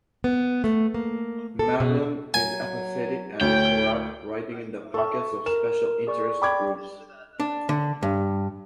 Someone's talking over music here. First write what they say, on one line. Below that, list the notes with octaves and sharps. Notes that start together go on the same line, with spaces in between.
Marlon is apathetic and corrupt, riding in the pockets of special interest groups.
B3
A3
A#3
A4
B2
F#3 G#5
D2 C#5 G5
A4 E5 C#6
A#4 E7
G#4 D5 C#6
D5 G5 B5 D6 G#6
D4
D3
G2